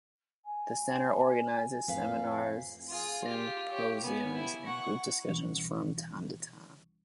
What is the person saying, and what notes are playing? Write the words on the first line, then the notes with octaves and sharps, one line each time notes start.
The center organizes seminars, symposiums and group discussions from time to time.
G#5
F2 A2 B4 F5
F4 G#4
F4 G4
G4 C#5
B3 G#5
E4
F#5 C#6
C2 B2 E3 C#4